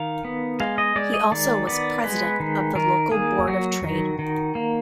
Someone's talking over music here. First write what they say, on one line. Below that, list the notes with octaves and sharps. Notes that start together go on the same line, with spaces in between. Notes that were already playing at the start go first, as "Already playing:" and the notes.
He also was president of the local Board of Trade.
Already playing: D#3 F5
B3
G#3 F5
D#5
G#3 D5
D#5
D#3 D5
B3 D5
G#3 B4
D#3
D#3 A#4
A#3 G#4
F#3 F#4
D#3
D#3
A#3